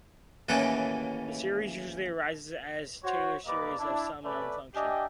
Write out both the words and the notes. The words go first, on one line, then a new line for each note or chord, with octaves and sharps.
This series usually arises as the Taylor series of some known function.
D#2 A2 C#3 E3 A3 F#5
F#4 C5 C#5
G3 A#3 B4 D5 D#5 D6
D4 E4
A3 C#4 B4 D5
D4 G4 D#5 E5 G5 G#5